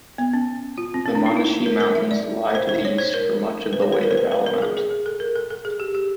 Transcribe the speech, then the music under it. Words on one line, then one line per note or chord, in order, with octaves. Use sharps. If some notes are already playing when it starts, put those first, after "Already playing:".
The Monashee Mountains lie to the east for much of the way to Valemount.
B3
C#4
F4
C4
C#4
D4
D#4
E4
A#4
A#4
E5
D5
C5
C5
C#5
C5
A#4
B4
C#5
B4
A#4
C5
B4
B4
A#4
G#4
G#4
G#4
A4
A#4
A4
A4
G#4
G4
G4